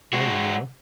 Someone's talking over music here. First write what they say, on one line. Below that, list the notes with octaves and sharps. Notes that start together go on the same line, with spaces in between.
There you go.
G#3 F#4